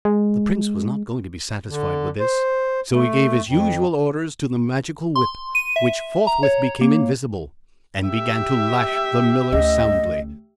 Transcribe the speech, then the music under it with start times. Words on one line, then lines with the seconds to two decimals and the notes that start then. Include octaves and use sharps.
The prince was not going to be satisfied with this; so he gave his usual orders to the Magical Whip, which forthwith became invisible, and began to lash the miller soundly.
0.05 G#3
1.69 D3
2.20 C5
2.93 A3
3.46 F2
5.16 C6
5.55 D#7
5.76 E5
6.27 A#5
6.43 C#5
6.81 A#3
8.07 G4 E5
9.52 D2 C#4 D#5